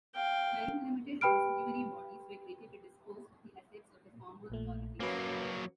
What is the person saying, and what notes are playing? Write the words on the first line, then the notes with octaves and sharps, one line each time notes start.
Time-limited residuary bodies were created to dispose of the assets of the former authorities.
F5 G5
G4 B4 G5 B5 F6 D7
A#1 A#2 A3
F#3 A#3 C#4 F#4 B4